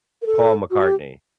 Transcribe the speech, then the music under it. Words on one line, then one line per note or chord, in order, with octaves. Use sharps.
Paul McCartney.
A#4
A4
F#4
G4